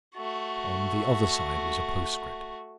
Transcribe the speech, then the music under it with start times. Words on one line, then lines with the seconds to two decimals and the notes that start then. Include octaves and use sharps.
On the other side was a postscript.
0.16 A3 F#4